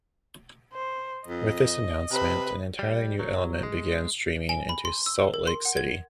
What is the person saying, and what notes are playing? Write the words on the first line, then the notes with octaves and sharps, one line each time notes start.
With this announcement, an entirely new element began streaming into Salt Lake City.
C5
F2 D#5
C3 B4
G3
F#3
G#3
G#5
B5
C6
E6
A#4
C6
F#5
G#6